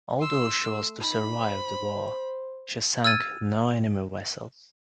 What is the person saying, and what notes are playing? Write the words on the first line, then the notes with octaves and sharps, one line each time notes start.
Although she was to survive the war, she sank no enemy vessels.
C6 E6
A3
D#4 B5
C5
E6 F6 G#6 A6 D#7